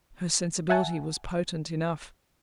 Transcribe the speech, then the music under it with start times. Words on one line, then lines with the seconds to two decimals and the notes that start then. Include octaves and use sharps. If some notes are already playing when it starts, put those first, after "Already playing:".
Her sensibility was potent enough!
0.70 E5 F#5 G#5 A5